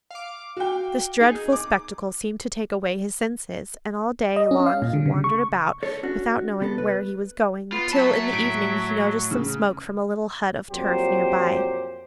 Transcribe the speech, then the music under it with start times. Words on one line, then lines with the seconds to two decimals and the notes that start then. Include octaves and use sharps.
This dreadful spectacle seemed to take away his senses, and all day long he wandered about, without knowing where he was going, till, in the evening, he noticed some smoke from a little hut of turf near by.
0.11 F5 D6
0.57 F#4 G5
1.20 D#4 G#4
1.52 D6
4.36 D#5
4.51 C#4
4.66 F5
4.82 A#2
4.93 D3
5.06 C#3
5.24 C#6
5.83 A4 C#5
6.03 C#4 D4 F#4
6.60 C3 B3 A4
6.78 B4
7.72 B3 F4
7.93 F#3 E5 A5
8.33 A2 D7
9.31 C#3
10.72 F2 A#2 F#3 G4 C5